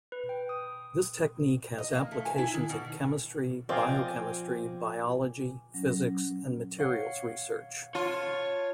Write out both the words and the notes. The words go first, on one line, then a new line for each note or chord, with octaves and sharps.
This technique has applications in chemistry, biochemistry, biology, physics and materials research.
B4
G5
D#6
D#5
A#3
A3
G#5
E4
D#3
B2
F3 C4 D5 D#5 F5 G#5 D6
F#3 C#4
C#5 F5 F#5
F4 C#5 A5